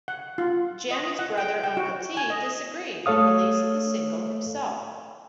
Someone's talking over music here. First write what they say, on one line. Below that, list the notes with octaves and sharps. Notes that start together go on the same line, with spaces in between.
Jammy's brother Uncle T disagreed and released the single himself.
F#5
F4
D#5
F#5
G5
G5
F#4
G#5
D#5
A3 A4 C#5 F5 D#6